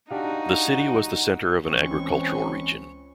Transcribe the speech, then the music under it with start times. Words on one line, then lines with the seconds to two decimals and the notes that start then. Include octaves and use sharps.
The city was the centre of an agricultural region.
0.11 D4 D#4 F#4 G4 F5
1.66 C#2 E3 C4 C#4 C#6